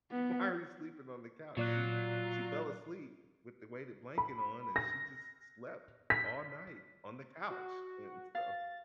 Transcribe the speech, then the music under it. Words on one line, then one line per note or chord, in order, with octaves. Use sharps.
why are you sleeping on the couch?" She she fell asleep with the weighted blanket on and she just slept all night on the couch and so
B3
A#2 F#3 F4 D5 F#6
B5
A#6
B6
F#4
F5 A6